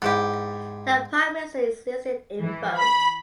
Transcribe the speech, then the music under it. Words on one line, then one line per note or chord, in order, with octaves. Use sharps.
The Prime Minister is listed in both.
G#2 B3 E4 G4
E3
B5